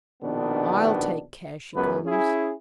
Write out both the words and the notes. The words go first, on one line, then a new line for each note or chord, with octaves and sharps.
I'll take care she comes.'
A#1 B2 D#3 B3 D4
C#2 F#2 B3 B4
C#4 E4 G#4